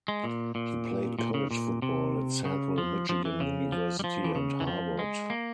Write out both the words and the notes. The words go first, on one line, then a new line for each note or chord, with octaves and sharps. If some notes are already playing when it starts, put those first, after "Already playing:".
He played college football at Central Michigan University and Howard.
G#3
A#2
A#2
A#2
C#3
A#2
C3
C#3
F3
F3
E3
C#3
F3
G3
F3
E3
C#3
E3
F3
G#3
A#3